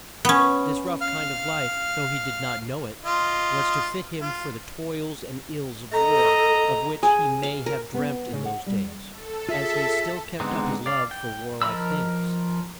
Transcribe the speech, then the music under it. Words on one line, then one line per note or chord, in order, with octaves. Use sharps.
This rough kind of life, though he did not know it, was to fit him for the toils and ills of war, of which he may have dreamt in those days, as he still kept up his love for war-like things.
B3 C#4
F5 F6
F4 D#5
F4
A4 D#5 A#5
G#4
F5
A#4
B3
C#3
F#5
G3
A4
F4 G#4 E5
D3 G#3 B3 C4 D#4
D5 F5
G5
F3 A#4 D#5 B5 E6